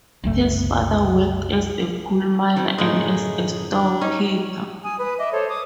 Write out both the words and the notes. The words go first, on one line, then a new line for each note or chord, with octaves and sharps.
His father worked as a coal miner and as a storekeeper.
F#1 C2 A3
D#3 F#3 C4 D4
F#2 A2 D3 D#3 G#3 D#4 G#4
D4
C#4 D#4
G#5 D#6
B4 D#6
D#5 E5 D6
A4 C5 C#5
D6 D#6